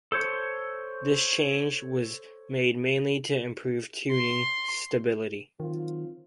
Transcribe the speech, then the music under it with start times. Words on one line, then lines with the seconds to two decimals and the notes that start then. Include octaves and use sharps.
This change was made mainly to improve tuning stability.
0.12 A4 C5 C#5
4.12 C6
5.60 D#3 F#3 C4 F4